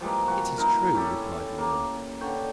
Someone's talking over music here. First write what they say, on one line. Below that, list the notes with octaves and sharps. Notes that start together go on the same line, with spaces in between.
"It is true," replied the woman.
F3 G3 G#3 A#3
F3 G3 F#4
D#4 E4 A#4
C#4 E4 G4 A4
A#3
D3 C#5 G5